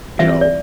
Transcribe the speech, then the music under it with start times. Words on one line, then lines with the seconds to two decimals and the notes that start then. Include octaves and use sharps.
you know,
0.19 E3 G3 C4 F4 E5
0.41 D5